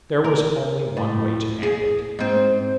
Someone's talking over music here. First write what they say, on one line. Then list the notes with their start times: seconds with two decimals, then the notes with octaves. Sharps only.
There was only one way to end it.
0.24 A#4
0.97 A2
1.63 G#4
2.19 G#2 C4